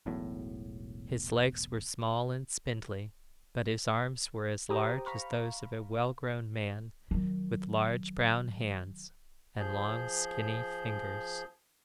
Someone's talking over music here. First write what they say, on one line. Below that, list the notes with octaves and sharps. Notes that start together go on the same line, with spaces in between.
His legs were small and spindly, but his arms were as large as those of a well-grown man, with large brown hands, and long skinny fingers.
E1 B1 E2 A2
G4 C5 G5 A#5 D6 D#6
F5 A#5 B5 C#6 F6
D#3 F#3
F3 G#4 G6